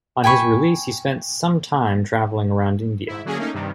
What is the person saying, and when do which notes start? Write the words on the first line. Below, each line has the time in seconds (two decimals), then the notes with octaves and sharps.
On his release he spent sometime travelling around India.
0.24 G5 G#5 B5 C#6
3.08 G#2 E4
3.25 D3 F#3 A#3 C#4 G#4
3.38 A3 A#3 C#4 D#4
3.54 G2 C3 D#3 G3